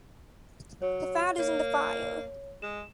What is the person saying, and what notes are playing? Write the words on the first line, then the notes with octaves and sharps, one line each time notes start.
The fat is in the fire.
F#3 C#5
A#3 C#5
G#3 E7